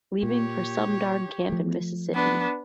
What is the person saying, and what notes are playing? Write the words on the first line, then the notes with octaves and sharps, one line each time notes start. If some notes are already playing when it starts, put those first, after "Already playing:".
Leaving for some darn camp in Mississippi.
A#2 G4 C#5
F3 A3
B3 D4